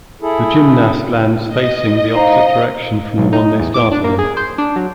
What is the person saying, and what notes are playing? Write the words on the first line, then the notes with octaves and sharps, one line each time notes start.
The gymnast lands facing the opposite direction from the one they started in.
E4 G#4 A4
D#5
D#4 C5 F5
B1
D#4
E2
D6
D4
A#3
G#4
C5
D4
F#3